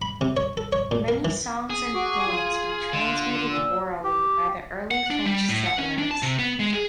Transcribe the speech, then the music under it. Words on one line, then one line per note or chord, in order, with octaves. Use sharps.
Many songs and poems were transmitted orally by the early French settlers.
B5
C3
C#5
A4
C#5
A#2
A#4
E3
G#4
F#4 D6
F4
D3
A#2 E6
G4
F#5
D4
G3
A2
F#5
C#4
D4
A5
C3
B3
G#3
G#4